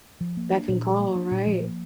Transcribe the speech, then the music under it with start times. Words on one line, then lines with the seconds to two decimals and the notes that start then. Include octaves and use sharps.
Beck and call, right.
0.21 F3
0.37 A#3
0.52 D4
0.68 A#2
0.84 F3
1.00 A#3
1.16 D4
1.31 A#2
1.47 F3
1.62 A#3